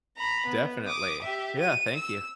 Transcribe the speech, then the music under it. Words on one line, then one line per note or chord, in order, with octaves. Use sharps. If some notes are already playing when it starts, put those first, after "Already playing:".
Definitely. Yeah, thank you.
A#5 B5
B3
D6 D#6
G4 E5
D#7
E6